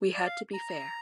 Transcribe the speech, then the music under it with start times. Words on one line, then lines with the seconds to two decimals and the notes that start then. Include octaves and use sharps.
We had to be fair.
0.14 D5
0.26 F5
0.54 A#5